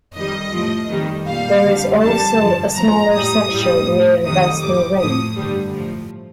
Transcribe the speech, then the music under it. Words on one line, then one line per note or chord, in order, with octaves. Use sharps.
There is also a smaller section near the western rim.
F2 D#3 G3 D#5
A2 F3
F2 D#3 G3
A#2 G3 F5
F2 D3 G3
F2 D3 G3 A5
G2 F3
A#2 F3 A#5
A2 G3 D#6
A2 G3
A2 F3
F2 C3 D#3 G3 D#6
A2 G3 D6
A2 F3 D#6
G2 D3 G3
A2 F3